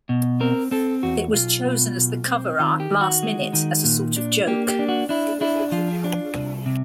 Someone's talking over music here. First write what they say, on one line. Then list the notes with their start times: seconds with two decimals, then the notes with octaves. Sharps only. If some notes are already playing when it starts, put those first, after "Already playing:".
It was chosen as the cover art last minute as a sort of joke.
0.09 B2
0.40 C4 A#4
0.71 C4 A4
1.03 E2 F#4
1.34 B1 F4
1.65 B2
1.98 B1
2.28 C4
2.59 D#3 F4
2.80 G4
2.90 D#3
3.01 F#4
3.23 G#3
3.53 D#3
3.84 A#2
4.16 D4
4.47 A#3 G4
4.69 G4
4.79 D4
4.89 F#4
5.09 D4 E4
5.41 D4 E4
5.72 F3 F4
6.04 D4
6.35 C2
6.66 C3